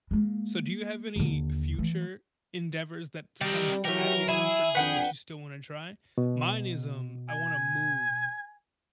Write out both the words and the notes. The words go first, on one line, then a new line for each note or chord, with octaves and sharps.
So do you have any future endeavors that's kinda still outta your comfort zone, but you still wanna try? Mine is, um, I wanna move
G#3 A#3
D#2 D3
E3 A3
D#3 G3 C4 D5
E3 F#3 A3 G4 A#4
E4 G#4
F2 D4 B4 F#5 G5
B2
G#5